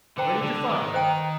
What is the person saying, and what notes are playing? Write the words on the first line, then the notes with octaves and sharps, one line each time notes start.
"Where did you find them?"
D3 C5 G5 A#5
D3
D#3
C5 G5 A#5